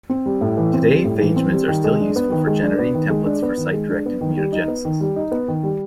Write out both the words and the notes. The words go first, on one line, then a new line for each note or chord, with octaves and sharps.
Today phagemids are still useful for generating templates for site-directed mutagenesis.
C4
G3
A2
E3
C4
G3
A2
E3
C4
G3
D#3
G#3
D4
B3
D#3
G#3
D4
B3
D#3
G#3
D4
B3
D#3
G#3
D4
B3
D#3
G3
D#4
B3
D#3
G3
D#4
B3
D#3
G3